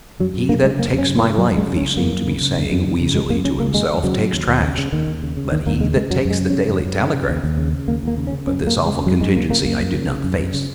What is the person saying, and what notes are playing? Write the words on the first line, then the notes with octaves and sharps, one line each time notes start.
"He that takes my life," he seemed to be saying, wheezily, to himself, "takes trash: But he that takes the Daily Telegraph--!" But this awful contingency I did not face.
F#2 F#3
F#2
C#3 A#3
C#3 G#3
F#2 A#3
F#2
C#4
C#3
A#3
C#3
F#2 F#3
F#2
G#3
C#3
C#4
C#3
F#2 A#3
F#2
C#3
C#3
F#2
F#2
C#3
C#3
F#2 G#3
F#2 A#3
C#3 C#4
C#3 A#3
D#2 G#3
D#2
C#3 F#3
C#3
D#2
D#2
C#3
C#3
D#2 D#3
D#2
C#3
C#3
D#2 D#3
D#2 A#3
C#3 G#3
C#3 G#3
F#2 F#3
F#2
G#3
C#3
C#4
C#3
F#2
F#2
C#3
C#3
D#2
D#2
C#3
C#3
D#2 A#3
D#2 A#3
C#3
C#4
C#3
F#2 C#4
F#2
A#3
C#3
G#3
C#3
F#2 F#3
F#2 G#3
C#3 A#3
C#3 A#3
F#2 A#3
F#2
C#3
C#3
F#2
F#2
C#3